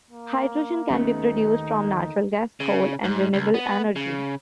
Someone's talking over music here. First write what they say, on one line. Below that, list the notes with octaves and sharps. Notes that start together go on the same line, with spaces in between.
Hydrogen can be produced from natural gas, coal and renewable energy.
A#3
D#2 A3 B3 C#4 D#4
C#3
G#2
C#2
B3
C#3